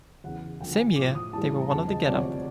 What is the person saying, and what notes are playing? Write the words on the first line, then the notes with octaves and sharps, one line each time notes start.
The same year, they were one of the Getup.
E2 C#3 E3 F#5
D2 D3 F3 G5
G5
G#5
A2 F3 D6
D#6
A2 E3 G3 A5
A#5
E2 C#3 F3 A5
D#5
D2 C3 F3 D5
C#5
D5